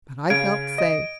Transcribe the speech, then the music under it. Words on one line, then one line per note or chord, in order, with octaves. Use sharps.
But I felt safe.
C#3 F5 G#6 D7
D#5